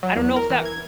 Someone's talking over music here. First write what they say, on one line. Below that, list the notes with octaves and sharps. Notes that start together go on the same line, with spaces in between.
I don't know if that
F#3
E2
A#4
E3
G#6